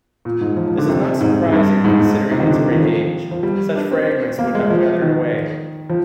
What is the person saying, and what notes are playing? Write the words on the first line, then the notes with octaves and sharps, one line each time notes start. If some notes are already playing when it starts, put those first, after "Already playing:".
This is not surprising considering its great age; such fragments would have weathered away.
A#2
G#2
F3
F3
D3
C3
G#2
G#2
G2
G#2
G#2
C3
D#3
D3
D#3
F3
F3
G3
D4
C4
A#3
G#3
F3
D#3
F3